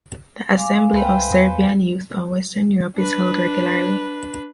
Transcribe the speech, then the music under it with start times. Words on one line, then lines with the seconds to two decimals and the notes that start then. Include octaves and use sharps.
The Assembly of Serbian Youth of Western Europe is held regularly.
0.57 F5 G#5 C6 D6
0.93 C#2 A3 C4 B4 C5 G5
1.30 E2
2.96 D4 B4